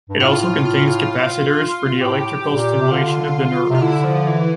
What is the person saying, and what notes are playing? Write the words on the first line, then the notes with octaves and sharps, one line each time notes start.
It also contains capacitors for the electrical stimulation of the neurons.
G2
A2 F4
F4
F4
F4
A2 G4
A#2
C3
D3 F4
C3 F4
D3 E4
F3
E3